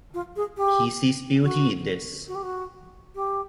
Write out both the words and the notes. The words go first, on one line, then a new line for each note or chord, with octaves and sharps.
He sees beauty in this.
F4
G#4
G4
F#4
F#4
G4
F#4
G4